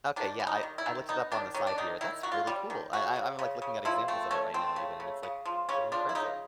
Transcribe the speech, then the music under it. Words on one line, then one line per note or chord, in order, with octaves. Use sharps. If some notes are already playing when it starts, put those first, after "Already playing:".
Okay, yeah, I I looked it up on the side here. That's really cool. I I I'm, like, looking at examples of it right now even, and it's, like, pretty impressive.
D#3 D4
G3
D#4
D#3
E4
D#3
B3 D#4
D#3 D4
D#3 C#4
D4
D#3 D#4
D#3 E4
D#3 F#4
F4
G3
D#3
C#3 F#4
C#3
C#3
C#3
F3 E4
A3 C4
A3 C#4
A3 C4
C#3
C#3
C#3
F3
C#3 C#4
F3 D4
E4
C#3 D#4